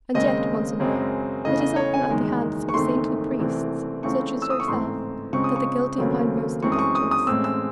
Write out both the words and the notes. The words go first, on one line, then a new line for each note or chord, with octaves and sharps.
And yet, Monseigneur, it is often at the hands of saintly priests, such as yourself, that the guilty find most indulgence.
D#2 C#3 G#3 C4 D#5
F#2 C#3 G#3 C4
E2 C#3 E3 A3 D#5
D#5
C#5
G#5
F#1 E2 D#3 G#3
C#6
F#1 E2 D#3 A3 C4 C6
C2 C3 E3 A3 C4
C#2 C#3 E3 A3 C4 C#6
E6
D#6
C#6
A1 G#2 E3 A3 C4 C6
C#2 C#3 G#3 C4 C#6
D#6
C#6
D#2 C#3 F#3 A3 C4
F#2 E3 G#3 C4 C#6
D#6
C#6
D#6
D#6
A1 A2 G#3 C4 E6
E6